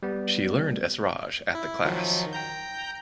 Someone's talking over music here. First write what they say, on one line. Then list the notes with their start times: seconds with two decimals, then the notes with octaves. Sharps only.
She learned esraj at the class.
0.03 G3 B3
1.55 E4
1.85 D#3 F3 F#3
2.33 G5 A#5 G6